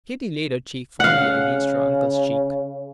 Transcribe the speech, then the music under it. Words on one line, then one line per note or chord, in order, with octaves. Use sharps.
Kitty laid her cheek fondly against her uncle's cheek.
C#3 F5 F#5